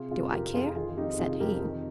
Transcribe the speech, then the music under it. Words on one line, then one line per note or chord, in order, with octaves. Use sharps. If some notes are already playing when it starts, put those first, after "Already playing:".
"Do I care?" said he.
Already playing: C3 F4 G#4
C3 F4 G#4
F2 G4 A#4
F2 F4 G#4
D#3 F4 G#4
G#4
F2 D#4 G4
C3 F4 G#4
F2 G4 A#4
D#3